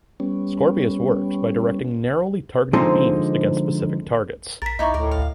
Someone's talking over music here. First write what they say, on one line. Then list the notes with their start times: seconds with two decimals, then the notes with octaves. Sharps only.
Scorpius works by directing narrowly targeted beams against specific targets.
0.20 G3 B3 C#4
2.73 D3 F3 G#3 C4 D#4
4.62 A#1 A#4 A6 B6
4.79 B1 D#4 E4 D5 D#5 A#5 C#6
4.94 D2 A2 A#4 D5
5.11 F5